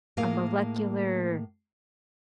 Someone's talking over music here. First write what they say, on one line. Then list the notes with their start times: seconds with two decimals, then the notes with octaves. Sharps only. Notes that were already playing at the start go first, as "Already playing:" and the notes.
a molecular
0.17 A2 A#3 G#4 F5